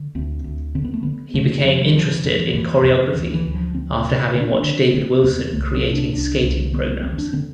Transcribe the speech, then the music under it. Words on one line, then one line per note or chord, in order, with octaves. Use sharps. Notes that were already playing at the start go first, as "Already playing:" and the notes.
He became interested in choreography after having watched David Wilson creating skating programs.
Already playing: D3
D2 C4
D2
D3 C4
B3
A3
D3 B3
F2 A3
F2 F3
E3
C3 F3
E3
F2 F3
E3
F2 E3
F2
D2 E3
E3
D2
F3
D2 C4
C3
D3
D4
C4
D4
D3
D3 C4
E2 B3
C2 A3
C4
C3
D4
C2 D4
C2
D3 B3
B3
E2 C4
D4
D3 C4